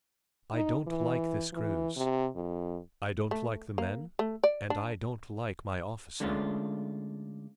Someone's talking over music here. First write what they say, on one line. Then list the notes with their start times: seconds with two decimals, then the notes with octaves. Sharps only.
I don't like this cruise; I don't like the men; and I don't like my officer.
0.54 D#4
0.87 E3
1.53 E3
1.97 C3
2.35 F2
3.31 A3
3.78 A#3
4.19 A3
4.44 D5
4.70 D4
6.20 D3 G#3 A3 C#4 D4 F4